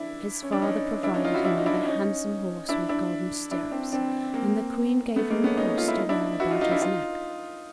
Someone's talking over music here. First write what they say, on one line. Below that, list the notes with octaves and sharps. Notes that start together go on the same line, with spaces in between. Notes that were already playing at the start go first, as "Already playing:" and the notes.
His father provided him with a handsome horse with golden stirrups, and the Queen gave him a cross to wear about his neck.
Already playing: D4 E4
C#4
D4
C#4 D#4
D4 E4
C#4 D#4
D#4 F4
E4 F#4
D4 E4
D#4
D4 E4
C#4 D#4
D4 E4
D4 E4
D4 E4
C4 D4
C4 D4
A#3 C4
A3 B3
G#3 A#3
B3 C#4
C#4 D#4
F4
E4
D#4
D4 E4
E4 F#4
D#4 F4
D#4 F4
D4 E4
D#4 F4